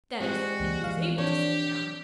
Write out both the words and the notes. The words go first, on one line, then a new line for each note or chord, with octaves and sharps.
That is, if he is able to sit down.
G3 G#3 C4 F#4
C#2 E3 A#3
E3 F3 F5
C4 D4 G4 C#5